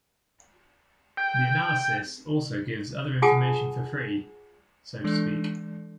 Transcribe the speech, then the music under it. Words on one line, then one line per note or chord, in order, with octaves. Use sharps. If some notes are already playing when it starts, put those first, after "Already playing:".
The analysis also gives other information for free, so to speak.
G5
F4 G#4 F#5 G#5 A5 D#6
E3 G#3 D4 A4 D5